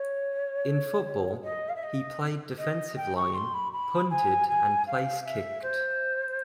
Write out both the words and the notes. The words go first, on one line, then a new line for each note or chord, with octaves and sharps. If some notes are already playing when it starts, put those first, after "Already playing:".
In football, he played defensive line, punted and place kicked.
Already playing: C#5
D#5
F5
E5
D#5
D#5
G5
C#6
C6
B5
B5
G#5
G#5
F5
E5
C5